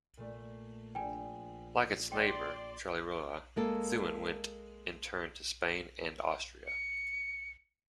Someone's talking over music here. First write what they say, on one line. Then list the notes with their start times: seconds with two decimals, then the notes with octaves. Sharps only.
Like its neighbour Charleroi, Thuin went in turn to Spain and Austria.
0.17 A#2 A3
0.95 A#1 G5 G#5
2.12 D5 G5 C6
3.56 G#3 A#3 A4
6.67 C#7